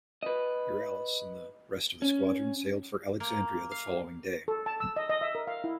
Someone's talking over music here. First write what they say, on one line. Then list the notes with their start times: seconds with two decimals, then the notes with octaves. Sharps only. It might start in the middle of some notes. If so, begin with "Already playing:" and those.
"Euryalus" and the rest of the squadron sailed for Alexandria the following day.
0.23 B4 D#5
2.02 C#4
3.20 A#3
3.71 F5
4.48 A4
4.66 A5
4.80 E6
4.96 D#5
5.10 D#5
5.21 E5
5.35 A#4
5.47 F5
5.64 E4